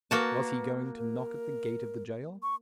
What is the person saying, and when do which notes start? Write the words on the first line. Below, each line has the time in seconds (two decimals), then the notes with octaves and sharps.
Was he going to knock at the gate of the jail?
0.11 A#3 F#4 B4 A5
0.98 A#4
2.43 C#6